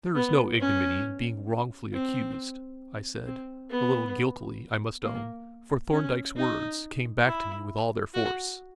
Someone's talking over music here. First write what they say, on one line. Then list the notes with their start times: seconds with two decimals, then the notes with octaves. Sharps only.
"There is no ignominy in being wrongfully accused," I said--a little guiltily, I must own, for Thorndyke's words came back to me with all their force.
0.15 B3
0.60 C#4
1.93 C4
3.26 C4
3.70 B3
5.03 A#3
5.92 C#4
6.37 D#4
7.25 E4
8.14 F#4